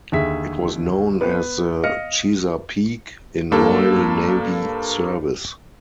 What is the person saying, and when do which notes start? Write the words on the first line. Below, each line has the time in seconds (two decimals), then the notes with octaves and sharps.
It was known as the Chesapeake in Royal Navy service.
0.12 D#2 D3 G#4 E5 B6
1.21 B3 B4
1.84 D#5 F5 F6 A#6 C#7
3.52 G2 A#3 A4